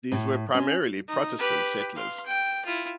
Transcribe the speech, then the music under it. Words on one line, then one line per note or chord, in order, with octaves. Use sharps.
These were primarily Protestant settlers.
A2
C#4
D#4
G4 B4
F5 C6
G5
E4 F4